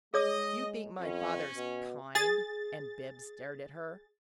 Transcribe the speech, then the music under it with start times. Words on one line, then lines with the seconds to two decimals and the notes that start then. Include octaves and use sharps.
"You think my father's KIND?" And Bibbs stared at her.
0.14 G#3 G#4 C#5 D#5 D#6
1.00 F2 C#4
1.56 B2
2.15 G#4 A6